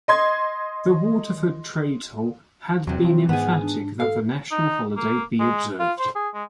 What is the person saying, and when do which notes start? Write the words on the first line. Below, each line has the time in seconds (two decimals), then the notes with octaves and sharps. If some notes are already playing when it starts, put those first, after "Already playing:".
The Waterford Trades Hall had been emphatic that the National Holiday be observed.
0.08 D#5 C6 G#6
2.87 E2 C3 F#3
3.05 F3 F4
3.29 G#2 B3 G#4 F#5
3.61 D4
4.00 A4 F5
4.51 D#4
4.97 A#3
5.40 G#3
5.79 F4
5.99 C5
6.15 G#4
6.34 G#3